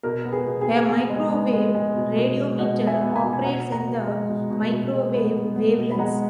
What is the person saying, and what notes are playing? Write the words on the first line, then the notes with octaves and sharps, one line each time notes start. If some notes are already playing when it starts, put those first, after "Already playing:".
A microwave radiometer operates in the microwave wavelengths.
B2 A#4
B3
G#4 B4
B2
G#4 B4
B3
B3 G#4
G#3
G#4
B3
G#3
G#3
B2
B2
G#3
B2 D#5 F#5
B3
E5 G#5
B3
G#5 B5
B2
G#5
B2 F#5 A#5
B2
F#5 A#5
B2
G#3
B2
B2
B2
G#3
B3
G#3
B3
B2
B5
G#3 F#5 A#5